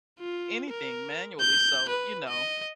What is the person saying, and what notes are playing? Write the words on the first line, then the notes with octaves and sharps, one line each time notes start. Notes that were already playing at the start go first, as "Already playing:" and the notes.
anything manually, so, you know.
F4
A#4
G6
B4
D#5